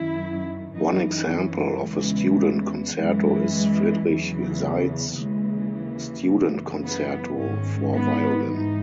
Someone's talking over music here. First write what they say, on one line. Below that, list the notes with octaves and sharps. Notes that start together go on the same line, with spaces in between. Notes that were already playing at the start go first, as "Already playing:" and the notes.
One example of a student concerto is Friedrich Seitz's "Student Concerto" for violin.
Already playing: F#2 D#3 E4
F#2 E3 D#4
C#4
E2 C#3 E3 G#3
F#2 E3 G#3
G#3
E2 C#3 E3 F#3
D#2 C#3 E3 G#3
A#3
F#2 C#3 E3
B3
G#2 C#4
D#3
B3
G#2 E3 D#4